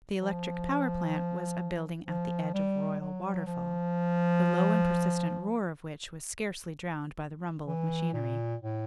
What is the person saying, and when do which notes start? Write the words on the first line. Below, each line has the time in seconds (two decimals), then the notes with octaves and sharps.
The electric power plant was a building at the edge of Royal Waterfall, the low and persistent roar of which was scarcely drowned by the rumble of machinery.
0.20 F3
2.07 F3
2.54 G3
3.01 F#3
3.47 F3
7.67 E3
8.13 A#2
8.61 A2